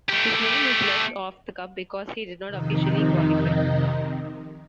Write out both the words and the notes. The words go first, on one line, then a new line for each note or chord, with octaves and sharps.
His name was left off the cup, because he did not officially qualify.
A3 G4
F2 C3 D#3 D#4